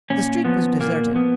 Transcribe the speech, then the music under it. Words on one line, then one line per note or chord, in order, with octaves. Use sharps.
The street was deserted.
A#2 C#4
F3 B3
A#2 A#3
F3 B3